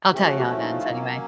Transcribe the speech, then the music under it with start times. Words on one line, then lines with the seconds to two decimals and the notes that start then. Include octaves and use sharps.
I'll tell you how it ends anyway.
0.14 F3 A3 C#4 G4
0.27 F#4
0.39 F#4
0.52 E4
0.62 D#4
0.70 F4
0.80 F4
0.89 F#3 A#3 C#4